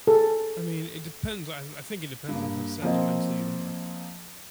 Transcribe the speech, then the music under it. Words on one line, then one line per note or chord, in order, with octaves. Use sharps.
I mean, it depends. I I think it depends on how sentimental you are
G#4 A4
G2 A#3
F3 A#3 C4 D#5